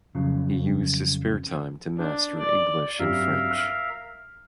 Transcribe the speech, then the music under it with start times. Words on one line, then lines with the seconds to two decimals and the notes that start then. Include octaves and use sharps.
He used his spare time to master English and French.
0.15 F2 C#3 F#3
1.97 D4
2.38 D5
2.99 G2 F#3 C4 A#4 E5 F5
3.51 F6